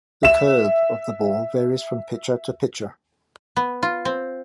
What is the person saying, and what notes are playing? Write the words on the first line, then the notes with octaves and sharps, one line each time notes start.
The "curve" of the ball varies from pitcher to pitcher.
E5 E7
B3
F4
C4